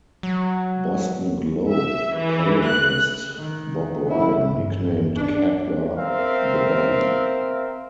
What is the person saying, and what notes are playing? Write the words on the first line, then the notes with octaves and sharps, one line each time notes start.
Boston Globe columnist Bob Ryan nicknamed Kapler The Body.
F#3
E5
E3
F#6
D#3
E4
G1
D4
C4 A#4 E5 F5